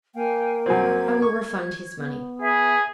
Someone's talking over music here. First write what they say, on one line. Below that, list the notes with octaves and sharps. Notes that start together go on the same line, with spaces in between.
I will refund his money.
A#3 F5 G5 G#5
F#2 F#3 C4 G#6
C#6
B3
G#4 B4 E5